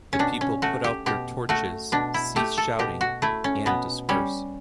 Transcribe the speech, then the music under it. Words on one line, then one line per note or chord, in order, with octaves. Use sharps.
The people put out their torches, cease shouting, and disperse.
C#4
B2 D4
C#4
A3 F#4
G4
B2 G4
A3 F#4
B2 D4
E4
A3 G4
A4
B2 G4
F#4
A3 E4
C#4
B2 B3
G3 C#4